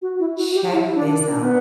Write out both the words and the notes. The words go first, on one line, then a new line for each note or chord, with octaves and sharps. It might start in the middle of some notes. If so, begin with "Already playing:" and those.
Check this out.
F#4
E4
F#4
G4
E4
D4
D4
B3